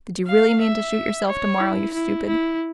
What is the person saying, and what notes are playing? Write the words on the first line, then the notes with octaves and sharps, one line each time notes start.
Did you really mean to shoot yourself to-morrow, you stupid?
F5
E5
C#5
E4
E4
E4